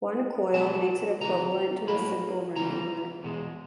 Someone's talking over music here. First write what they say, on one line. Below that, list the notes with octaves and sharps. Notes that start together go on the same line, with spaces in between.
One coil makes it equivalent to the simple running knot.
B1 A2 F3 G#3 B3 A5
D2 C3 E3 A#5
A2 F#3 A#3 B5
C#2 C3 E3 G3 A#5
E2 B2 G#3